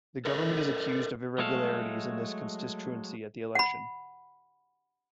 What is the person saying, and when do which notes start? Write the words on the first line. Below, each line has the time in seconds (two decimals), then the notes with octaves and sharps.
The government is accused of irregularities in this constituency at the election.
0.25 A4 A#4 C5 D#5
1.38 F#3 G#3 A3 A4 F5
3.55 F#5 B5